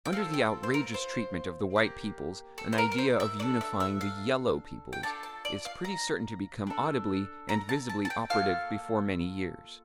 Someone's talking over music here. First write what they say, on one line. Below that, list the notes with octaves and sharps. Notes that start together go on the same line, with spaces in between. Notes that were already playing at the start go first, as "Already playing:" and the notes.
Under the outrageous treatment of the white peoples an idea of unifying the "Yellow" peoples is pretty certain to become audibly and visibly operative before many years.
G5
C4 F4 A4 F5
G5
C5
A#4
C5
A#3 E4 G4
A4
C5
A#4
A#4
C5
E5
D4 A4 D5
E5
E5
F5
G5
D4 F4 A4 A5
A5
D5
F5
A#5
D4 A4
A#5
A5
A5
A5
G5
A#3 F4 A4 F5